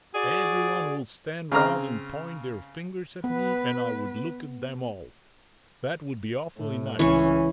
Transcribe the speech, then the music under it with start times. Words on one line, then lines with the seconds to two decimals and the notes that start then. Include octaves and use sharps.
Every one will stand round and point their fingers at me and I would look at them all. That would be awfully nice.
0.15 F#4 G#4 D5
1.52 C#3 C4 A#5 F6
3.24 B3 B4
6.57 A2
6.99 C#2 E3 C#4 C#6